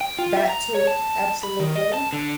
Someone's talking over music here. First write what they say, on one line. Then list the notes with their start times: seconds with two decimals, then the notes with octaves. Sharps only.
That too, absolutely.
0.01 G5
0.19 F4
0.37 E5
0.49 A#5
0.74 C#5
0.87 A5
1.43 B5
1.60 D#3
1.76 D#5
1.94 A5
2.13 D3